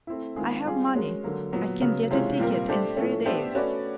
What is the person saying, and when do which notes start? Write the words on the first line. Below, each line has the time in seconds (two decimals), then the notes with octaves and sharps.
I have money, I can get a ticket in three days.
0.07 A3 C4 E4
0.36 D#3 G#3 C4 F4 G#4
0.66 G3 C4 F4 G#4
0.94 G#3 C#4 F#4 A#4
1.24 D3 F#3 A#3
1.53 A#2 F#3 B3
1.81 C#3 F#3 B3
2.10 C3 E3 G#3 C#4 F4
2.39 A#2 G3 C4 F4 A#4
2.68 A3 D4 G4 C5
2.96 A2 F3 A3 C#4
3.26 B3 D4 G4 C5 E5
3.55 A3 C#4 F#4 B4 D5